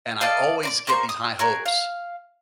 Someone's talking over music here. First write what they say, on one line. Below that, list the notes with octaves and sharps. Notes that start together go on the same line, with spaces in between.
And I always get these high hopes
A4 D5 D#5 F5
D5 A#5 D6
A#3 C5 C6 C#6
D#6
F#4 G#4 A#4
F5